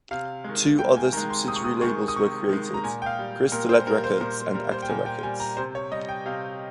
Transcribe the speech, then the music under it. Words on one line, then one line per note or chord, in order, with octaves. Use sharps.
Two other subsidiary labels were created: Crystalette Records and Acta Records.
C3 F5
D#3 G#3
C3 G5
G#5
D#3 G#3 A#5
C6
C3 D#6
C#6
D#6
D#3 G#3 C#6
D#6
C3 C#6
D#3 G#3
A#5
A#2 G#5
G5
F5
G3
A#2 A#4
C5
G3 A#4
C5
A#2 A#4
G3 A#4
C5
G5
A#2 G#5
G5
G3 G#5
A#5
C3 C5
C#5
G3 D#5
G5
C3 F5